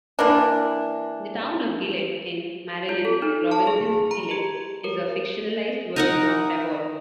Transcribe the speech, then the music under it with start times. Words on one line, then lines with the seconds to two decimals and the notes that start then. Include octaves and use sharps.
The town of Gilead, in Marilynne Robinson's "Gilead", is a fictionalised version of Tabor.
0.19 E3 A#3 D4
2.89 F4
3.05 A4
3.22 D#4
3.51 A5
3.67 G#4
4.11 A#5
4.31 G4
4.84 A#4
5.96 D#4 A#4 F#5